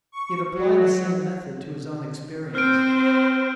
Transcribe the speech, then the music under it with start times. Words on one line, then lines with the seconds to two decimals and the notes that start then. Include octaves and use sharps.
He had applied the same method to his own experience.
0.12 C#6
0.54 F#3
2.55 C4 C5 F6 D7